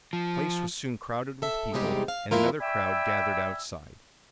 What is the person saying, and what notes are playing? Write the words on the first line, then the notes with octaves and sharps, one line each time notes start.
The place was soon crowded with people, and another crowd gathered outside.
F3
A4 E5
E2 C3 G3 G#3 D#4 G4
F5
F2 C#3 A#3 E4 F4 A#4
D5 E5 G5 G#5 B5 E6